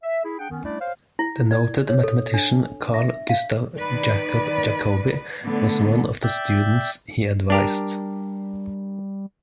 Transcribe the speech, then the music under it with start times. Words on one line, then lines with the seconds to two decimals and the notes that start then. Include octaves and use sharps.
The noted mathematician Carl Gustav Jacob Jacobi was one of the students he advised.
0.02 E5
0.24 E4 G#4
0.39 D4 G#4 F#5 G5
0.50 D#3 B3 C#4
0.63 G3 A3 C#4 D4 E4 D5
0.79 C5 C#5 F5
1.19 E4
1.51 D5
1.89 C#5
2.03 A4
2.34 D4
2.94 E5
3.29 F5
3.75 D#3 B4 D5
5.42 A2 D3 B3
6.23 D5 E5 G5
7.50 G3 D4 G4 A#4